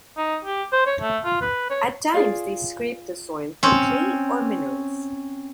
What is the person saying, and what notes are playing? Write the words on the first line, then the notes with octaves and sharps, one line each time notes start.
At times, they scrape the soil for clay or minerals.
D#4
G4
C5
C#5
A3
F4
B4
C#5
F4 G#4 D5 F5
C4 C#4